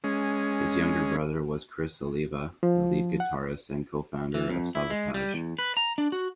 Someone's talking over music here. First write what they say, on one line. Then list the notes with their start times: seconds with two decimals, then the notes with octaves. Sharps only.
His younger brother was Criss Oliva, the lead guitarist and co-founder of Savatage.
0.04 G#3 C#4
2.63 F3
3.20 F#5
4.34 E3
4.50 F2
4.75 E4
4.90 G#3
5.14 G3
5.34 E2
5.59 B4
5.77 A#5
5.98 D4
6.12 F#4